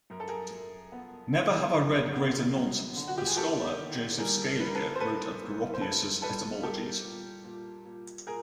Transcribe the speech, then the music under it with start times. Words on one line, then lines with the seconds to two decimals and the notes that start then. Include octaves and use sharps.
"Never have I read greater nonsense," the scholar Joseph Scaliger wrote of Goropius's etymologies.
0.10 F#2 A#4
0.20 A4
0.28 G#4 A#4
0.51 F#2
0.92 B3
1.32 D3
1.74 F#2
2.15 B3
2.56 F#3
2.96 D3
3.08 F#4
3.18 G4
3.27 G#4
3.36 A#3 G4 A4
3.78 D#3
4.18 G3 G#4 A#4
4.60 G3 B4
4.67 A#4
4.75 A4 B4
4.95 C5
4.99 A#3 A4 B4
5.40 A#3
5.74 C5
5.81 F#2 A4 B4
6.22 G3 A4 B4
6.63 A#3 G4 A4
7.03 A#2
7.44 A#2
7.85 A#2
8.26 A#2 G#4 A#4